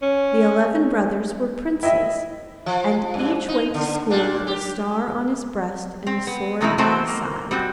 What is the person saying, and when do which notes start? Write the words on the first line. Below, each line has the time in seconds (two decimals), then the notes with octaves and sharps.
The eleven brothers were princes, and each went to school with a star on his breast and a sword by his side.
0.02 C#4
1.83 E4 D#5 E5
2.66 F3
3.14 F#2
3.49 D#4
3.74 D3
4.10 A#2 D4
4.47 G4
6.07 C4
6.27 B3
6.61 C3 D#3 E3 D#4 E4 A#4
6.78 E3 F#3 A3 C4 F#4 C5
7.07 A#3
7.51 G3 C4 F#4